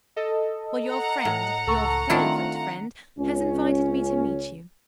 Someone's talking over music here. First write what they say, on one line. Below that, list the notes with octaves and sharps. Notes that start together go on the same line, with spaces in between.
Well, your friend, your favorite friend, has invited me to meet you.
A4 D#5
F#5 A#5
A2
C#2 A4 C#6
D#3 A3 C4 D4 E4 F4
C#2 C#4